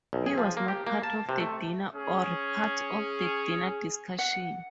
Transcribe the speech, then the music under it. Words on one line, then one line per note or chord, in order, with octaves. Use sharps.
He was not part of the dinner or part of the dinner discussion.
B1
G#4
F3
A#3
G4
A#3
A5
C3
A3
C#4 G#4
F#5